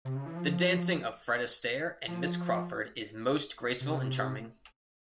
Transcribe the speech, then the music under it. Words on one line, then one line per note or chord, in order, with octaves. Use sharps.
The dancing of Fred Astaire and Miss Crawford is most graceful and charming.
C3
C#3
E3
F3
F3
C3